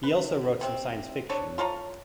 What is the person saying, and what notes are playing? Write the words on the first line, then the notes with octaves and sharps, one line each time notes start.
He also wrote some science fiction.
B4
C3 C4
D4 A4 C#5
F4 A4 C#5 A#5